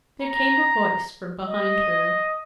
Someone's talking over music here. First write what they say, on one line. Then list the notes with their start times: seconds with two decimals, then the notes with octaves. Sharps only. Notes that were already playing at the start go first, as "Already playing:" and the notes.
There came a voice from behind her.
0.21 A#5
1.48 D#5